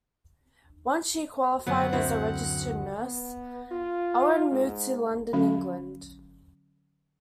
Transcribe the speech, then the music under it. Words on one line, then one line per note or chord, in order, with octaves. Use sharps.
Once she qualified as a registered nurse, Owen moved to London, England.
F#2 D3 F#3 B3 C4 F#5
D2 C4 E4
B3
F4
G#2
D3 F#3 C#4 F#4 F5